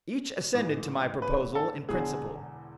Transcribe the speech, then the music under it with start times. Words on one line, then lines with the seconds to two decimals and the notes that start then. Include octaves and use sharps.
Each assented to my proposal in principle.
0.54 A1 G#2 E3
1.22 B4
1.55 A4
1.89 E1 E2 D3 G#4